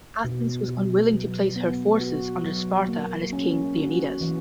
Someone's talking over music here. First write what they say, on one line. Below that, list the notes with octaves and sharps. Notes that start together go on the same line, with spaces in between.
Athens was unwilling to place her forces under Sparta and its King Leonidas.
B2
B2
F#3
B3
F#4
F#3
A#3
C#4
F#4
E3